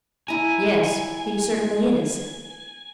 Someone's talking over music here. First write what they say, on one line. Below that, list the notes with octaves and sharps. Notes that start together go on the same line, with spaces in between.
"Yes, he certainly is."
E4 G#5 A#5